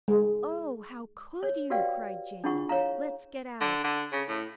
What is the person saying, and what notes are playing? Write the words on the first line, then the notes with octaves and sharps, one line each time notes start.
'Oh, how COULD you!' cried Jane. 'Let's get out.'
G#3
C#5
F#4 G4 B4 D5 F5 G5
D4 E4 F4 G#4 F#5 C#6
C#5 F5 A#5
D3
D3
C#3
A2